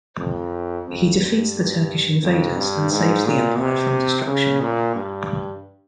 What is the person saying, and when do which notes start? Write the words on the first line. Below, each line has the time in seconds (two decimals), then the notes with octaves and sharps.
He defeats the Turkish invaders and saves the Empire from destruction.
0.20 F2
0.88 F2
1.22 G2
2.24 F2
2.57 G2
2.91 G#2
3.25 A#2
3.59 C3
4.28 C#3
4.61 A#2
4.95 G2